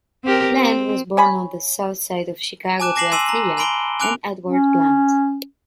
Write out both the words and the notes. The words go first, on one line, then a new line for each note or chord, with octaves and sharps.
Bland was born on the South Side of Chicago to Althea and Edward Bland.
C4 G4 A#4
C4
C#5 G#5 B5
G#5 A5 D6 F#6 E7
A5 D6 A#6 C7 E7 F#7
G#5 C6 E6 D#7 F#7
A#5
G#5 B5 C6 D7 G7
G#5 D6 F#6 D7 F7
C#4